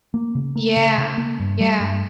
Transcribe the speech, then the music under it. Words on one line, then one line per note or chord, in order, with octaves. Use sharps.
Yeah, yeah.
A#3
C#3
A#3
C#3
C#3
A#3
G2
G3
G2